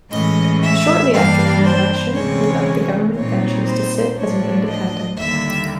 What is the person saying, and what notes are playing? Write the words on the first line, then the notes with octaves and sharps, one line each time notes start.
Shortly after the election, he left the government benches to sit as an independent.
A2 E3 G#3 C#4 D#5
E5
G2 E3 G3 A#3 D4 F5
C5
D2 C3 E3 G#3 C#4 C#5
A#2 G3 C4 D#4 C#5
C5
A2 F3 A3 D4 C#5
D#5
D#2 D3 G3 A#3 E5